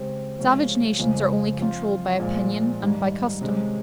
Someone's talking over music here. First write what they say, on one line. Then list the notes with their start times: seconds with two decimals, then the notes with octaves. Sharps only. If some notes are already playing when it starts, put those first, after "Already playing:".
Savage nations are only controlled by opinion and by custom.
Already playing: C#3 G#3 C4 G4 C5
0.38 C3 F3 G#3 C#4 F4
0.99 F2 C#3 F3 G#3
1.59 F3 C4 F4 C5
2.19 A#2 F3 G#3
2.80 G#2 D#3 G3
3.41 C3 D#3 G#3 C#4